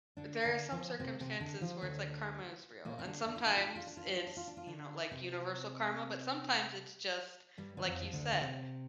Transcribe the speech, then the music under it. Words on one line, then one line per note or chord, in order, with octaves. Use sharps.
there are some circumstances where it's, like, karma is real and sometimes it's, you know, like, universal karma, but sometimes it's just, like you said,
D3 D4
D3 D4
F3 F4
C3 C4
C3 C4
D3 D4
F3 F4
D2 D3
A#2 A#3
C4
D3 D4
D4
F4
D4
F4
D4
F4
D4
F4
D4
F4
D4
F4
D4
F4
D3 D4
C3 C4
G2 G3
D3
F2 F3
F3
D2 D3
D3
C3